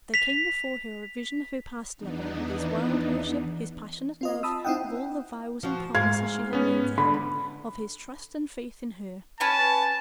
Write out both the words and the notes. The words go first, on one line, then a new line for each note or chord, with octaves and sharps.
There came before her a vision of her past lover, with his wild worship, his passionate love; of all the vows and promises she had made to him; of his trust and faith in her.
B6 F7
E2 E3 B3 D4 D#4
C4 F4 D#5
A5 B5 D#6 E6
C4 D#4 E4 D#5 F#5 G5
F3 F#4
G#2 F5 G#6
B3 C#4
D3 B5
C#4 B4 G#5 A5